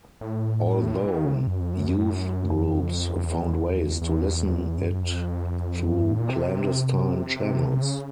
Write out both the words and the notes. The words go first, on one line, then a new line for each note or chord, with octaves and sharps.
Although youth groups found ways to listen it through clandestine channels.
A2
A#2
E3
D#3
C#3
C3
F#2
F2
F#2
F2
F2
E2
E2
F#2
F#2
F2
F#2
G2
A2
A#2
C3
C#3